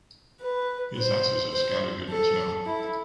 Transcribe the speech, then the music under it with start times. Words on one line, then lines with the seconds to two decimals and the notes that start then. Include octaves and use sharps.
His ashes are scattered in the Channel.
0.41 B4
0.97 C5
1.54 C5
2.10 A4
2.66 E4